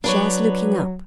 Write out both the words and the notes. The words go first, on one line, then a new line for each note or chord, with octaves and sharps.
Shares looking up.
F#3 D4 B4 C#5